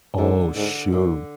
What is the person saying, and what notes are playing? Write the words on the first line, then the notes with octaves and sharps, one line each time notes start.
Oh, shoot.
G#2 D3
G#2 D3
F#2 D3